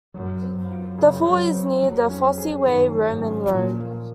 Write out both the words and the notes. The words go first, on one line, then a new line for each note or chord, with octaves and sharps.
The fort is near the Fosse Way Roman road.
F#2 F#3
C4
F#2
F4
C#3
F#3
C4
F2 F#3
C#4
G#4
F#2 D#3
F#3
G#2
C#4
A#2 F3
A#3